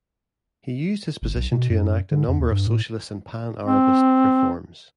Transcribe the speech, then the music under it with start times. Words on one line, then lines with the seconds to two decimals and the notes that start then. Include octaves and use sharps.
He used his position to enact a number of socialist and Pan-Arabist reforms.
1.22 G1
1.35 B1
1.52 B2
1.70 F#2
2.11 D3
2.28 F2
2.40 D#2
2.51 G2
2.67 A2
3.66 C4